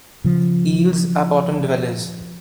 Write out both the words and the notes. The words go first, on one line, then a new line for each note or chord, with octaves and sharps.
Eels are bottom dwellers.
C#3 F3